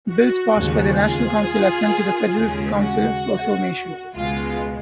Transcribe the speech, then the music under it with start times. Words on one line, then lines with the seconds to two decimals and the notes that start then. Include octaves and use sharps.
Bills passed by the National Council are sent to the Federal Council for affirmation.
0.10 F#4
0.56 D#2 C#3 G#3
1.00 F4 G#4
2.36 D#2 C#3 G#3
2.80 F#4
4.16 C#2 B2 G#3 F4